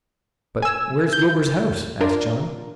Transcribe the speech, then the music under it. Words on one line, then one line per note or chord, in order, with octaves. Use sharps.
"But where's Wilbur's house?" asked John.
G#5 E6
G6
D4 F4 A#4